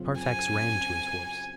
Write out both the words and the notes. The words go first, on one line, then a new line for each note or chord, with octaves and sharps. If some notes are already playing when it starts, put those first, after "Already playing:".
Carfax ran to his horse.
Already playing: F#2 C#3 F#3 C4 F4
G#5